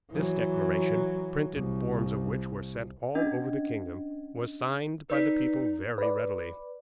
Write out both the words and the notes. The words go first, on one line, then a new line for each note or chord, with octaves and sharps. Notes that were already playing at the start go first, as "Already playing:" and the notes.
This declaration, printed forms of which were sent all over the kingdom, was signed by the people very readily.
E3 F#3
C2
C#4 D4 D#5
D#4 B4 D5 B6
B4 D5